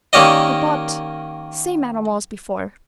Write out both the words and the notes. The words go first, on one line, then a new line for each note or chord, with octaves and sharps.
Hippot--same animal as before.
D#3 A#3 C#4 G4 D5 D#5